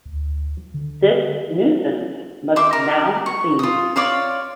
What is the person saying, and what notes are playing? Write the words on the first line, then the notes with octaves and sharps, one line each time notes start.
This nuisance must now cease.
D2
D3
E5 C6 D6
A#4
C#6
F4 D#6
C#5 D5 F5 C6